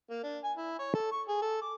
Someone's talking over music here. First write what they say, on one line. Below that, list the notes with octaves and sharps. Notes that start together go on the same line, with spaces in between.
It is celebrated by all sections of the tribe.
A#3
D4
G#5
E4
C#5
A4
C#6
G#4
A4
D6